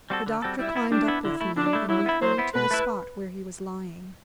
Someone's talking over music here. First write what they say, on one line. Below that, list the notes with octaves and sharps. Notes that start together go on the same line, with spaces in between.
The doctor climbed up with me, and we hurried to the spot where he was lying.
G3 C4 F#4 A4
D3
G3 C4 F#4 A4
G3 E4
B3 E4
G3 D4
B3 E4
D3 E4
A3 E4
D3 D4
A3 E4
F#3 E4
B3 E4
F#3 C5
B3 E4
B2 B4
A3 E4